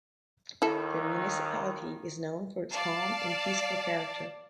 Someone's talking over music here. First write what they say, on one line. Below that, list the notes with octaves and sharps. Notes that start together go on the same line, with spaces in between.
The municipality is known for its calm and peaceful character.
A#1 D#2 D#3 E4 A4
D5 F5 A5